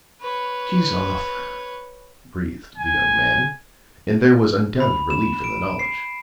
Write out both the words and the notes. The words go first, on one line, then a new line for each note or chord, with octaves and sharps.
"She's off," breathed the young man, and there was undoubted relief in the knowledge.
B4 C#5
G#5
B5
E7
D7
C7